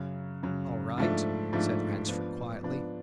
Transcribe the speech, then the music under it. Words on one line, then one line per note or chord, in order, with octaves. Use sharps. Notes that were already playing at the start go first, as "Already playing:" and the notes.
"All right," said Ransford quietly.
Already playing: F#2 C#3 F#3
F#2 C#3 F#3
G#2 F3 A3 D4
G#2 F3 A3 D4
F3 B3 D4
F3 B3 D4